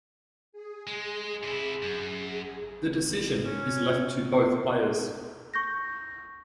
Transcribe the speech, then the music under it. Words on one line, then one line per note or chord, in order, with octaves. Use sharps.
The decision is left to both players.
G#4
G#3
C3 E4
F#2 G#4
C#4
C#6 G6 A#6